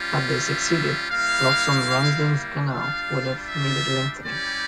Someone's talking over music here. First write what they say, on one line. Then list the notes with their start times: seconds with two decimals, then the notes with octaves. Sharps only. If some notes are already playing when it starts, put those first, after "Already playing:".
Had they succeeded, locks on Ramsden's Canal would have needed lengthening.
Already playing: G3 C#4 F4
0.32 E5
1.10 G3 A#3 E4 F5
2.66 G3 D4 F4 F5
3.45 E5
4.24 G3 C#4 E4 G4 D5